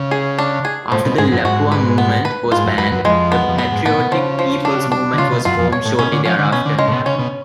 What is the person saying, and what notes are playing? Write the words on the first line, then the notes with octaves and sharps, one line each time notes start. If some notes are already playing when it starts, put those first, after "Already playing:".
After the Lapua Movement was banned, the Patriotic People's Movement was formed shortly thereafter.
Already playing: C#3
G#4
D4
G#4
A2 F3
B2
G#2 G#4
F#2
G#2 F#4
B4
B3
B4
G#2 F4
F#2
F#2 B4
F#2
F2 G#3
B3
F2
F#2 B3
G#2
A2 B3
B2
C#3 F3
F3
D4
D4
D3
C#3 F4
B2
F#2 F4
F2
C#5
A2
B2 C#4
D3
F3 C#4
D3
B2 C#4
D3
C#3 G#3
A2
B2
C#3 C#4
B2